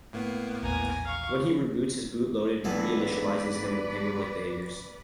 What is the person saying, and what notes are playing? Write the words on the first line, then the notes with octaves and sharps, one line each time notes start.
When he reboots, his boot loader reinitializes him with penguin-like behaviors.
A2 A#3 B3
A#1 E2 E3 G#5 A#5
F5 C#6
G#2 E3 F#3 A3 B3 D4 B4 D5